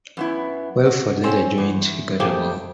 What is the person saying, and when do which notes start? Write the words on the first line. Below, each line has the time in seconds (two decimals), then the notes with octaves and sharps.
Wellford later joined Gutterball.
0.17 F#2 B3 E4
0.86 F#4
1.23 C4 C#4 C5
1.58 E2
2.20 A3 A#3 G4 G#4 C5